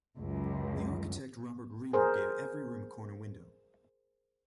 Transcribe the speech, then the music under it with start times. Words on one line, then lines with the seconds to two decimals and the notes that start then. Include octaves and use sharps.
The architect Robert Reamer gave every room a corner window.
0.18 C#2 F#2
1.93 G#4 A#4 C5